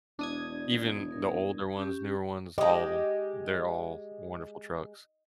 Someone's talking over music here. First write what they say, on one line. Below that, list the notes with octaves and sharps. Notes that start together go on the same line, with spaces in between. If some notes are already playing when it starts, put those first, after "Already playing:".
Even the older ones, newer ones, all of 'em, they're all wonderful trucks.
E1 D4 D#6 G#6
A#4
C#4 G4
G#3 G4 D#5